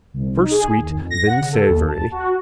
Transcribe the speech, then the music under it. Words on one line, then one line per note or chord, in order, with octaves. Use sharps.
First sweet then savoury.
C2
D#4
G#4
D#2
F2
A#6
F#5
C#3
A4
D#2
A5
F#4